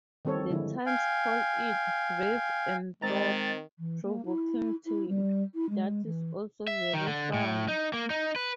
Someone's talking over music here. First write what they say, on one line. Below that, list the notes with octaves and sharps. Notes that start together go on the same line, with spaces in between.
The Times called it "brave and thought provoking telly, that is also very funny".
D#3 G3 C4 A4 C#5
D3 F3 G#3 E4
F5 G5 G#5
D#3 G#3 C4 A#5 A6
E3
A#3
E4
E4
G3
E4
G#3
E3
E5
D#3
D3
A2
D#4
A#3
D#4
B4